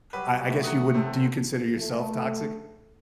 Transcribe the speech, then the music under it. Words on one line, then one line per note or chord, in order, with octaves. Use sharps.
I I guess you wouldn't do you consider yourself toxic?
F#3 G3 B4
A3
D#5 F#5 A#5
C3 A4 C5
A3